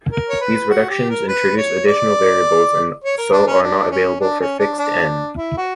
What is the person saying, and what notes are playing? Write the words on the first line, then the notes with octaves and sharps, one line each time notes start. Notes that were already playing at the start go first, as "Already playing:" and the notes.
These reductions introduce additional variables and so are not available for fixed "N".
A#4
C#5
B4
F#4
G4
A#4
B4
C#5
D5
C#5
A#4
D4
C#4
D4
C#4
D4
C#4
D4
D4
E4
F#4